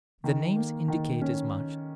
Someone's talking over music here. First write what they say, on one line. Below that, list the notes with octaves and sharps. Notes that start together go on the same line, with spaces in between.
The names indicate as much.
D#3
A#3
D#3
C#4